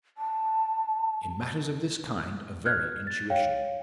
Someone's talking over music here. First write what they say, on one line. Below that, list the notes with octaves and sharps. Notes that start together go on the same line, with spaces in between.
In matters of this kind a very intuition.
A5
F6 F#6 G#6
A6
C#5 F5 G5